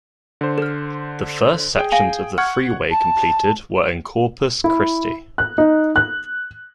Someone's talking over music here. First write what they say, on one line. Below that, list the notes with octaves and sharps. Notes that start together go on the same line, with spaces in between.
The first sections of the freeway completed were in Corpus Christi.
D3 C5
A4 F6
G#4 G5
F5 G#5 D#7
F#5 C#6 F6 G#6
A5
E4
F#6
D#4
F#6